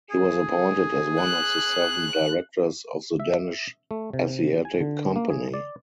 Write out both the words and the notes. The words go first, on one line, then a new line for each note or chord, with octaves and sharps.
He was appointed as one of the seven directors of the Danish Asiatic Company.
G#4
F#6
E5
A3
C3
G#5
D3
A#3
G#4
D5